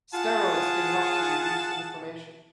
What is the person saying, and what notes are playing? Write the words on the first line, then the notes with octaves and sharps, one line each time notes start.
Steroids can help to reduce inflammation.
F4 G#4 F#5 A5